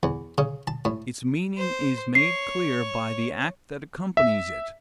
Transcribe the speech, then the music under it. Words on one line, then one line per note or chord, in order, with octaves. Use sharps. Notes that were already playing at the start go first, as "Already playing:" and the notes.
Its meaning is made clear by the act that accompanies it.
E2
C#3
A5
A2
C5
C#5 C7
E5